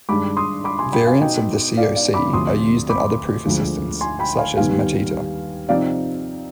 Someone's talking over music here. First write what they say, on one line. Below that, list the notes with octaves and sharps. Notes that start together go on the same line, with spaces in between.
Variants of the CoC are used in other proof assistants, such as Matita.
G2 D#3 G#3 D4 B5 D6
C6 D#6
B5 D6
G#5 C6
G5 B5
F5 G#5
B2 B3 D#4 D#5 G5
D5 F5
D5 F5
B5 D6
D2 C3 F3 C6 D#6
B5 D6
D2 D3 F3 G#3
G#5 C6
G5 B5
F5 G#5
D#2 D#3 G3 B3 F5 G#5
C3 F3 C4 D#4 D5 F5